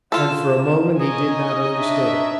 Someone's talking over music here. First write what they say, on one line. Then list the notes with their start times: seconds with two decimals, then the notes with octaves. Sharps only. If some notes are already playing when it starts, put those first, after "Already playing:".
And for a moment he did not understand.
0.12 F4 A4 E7
0.98 C#4 D#4 C#5 D#5 G#5
1.76 D4 E5